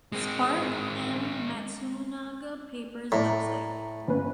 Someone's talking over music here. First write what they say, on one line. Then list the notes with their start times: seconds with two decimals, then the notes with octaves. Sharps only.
Spark M. Matsunaga Papers web site.
0.12 G#3 C4
3.12 A2 D5 A#5
3.29 A#5
4.08 G1 C#4 B4